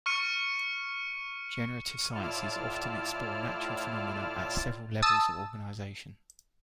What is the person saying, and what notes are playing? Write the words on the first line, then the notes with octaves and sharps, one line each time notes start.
Generative sciences often explore natural phenomena at several levels of organization.
C#6 F6 C#7 D#7
A2 E4 F4 D5 A5 F6
A5 D#6 E6